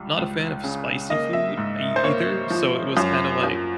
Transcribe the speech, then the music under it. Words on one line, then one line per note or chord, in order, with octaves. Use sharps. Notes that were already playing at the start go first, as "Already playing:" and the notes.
not a fan of spicy food e either, so it was kinda like,
Already playing: C#2 G3
C#2
C#3
A#3 D#5
E5
G#2
C5
A#3 C#5
F3
F#2
F#2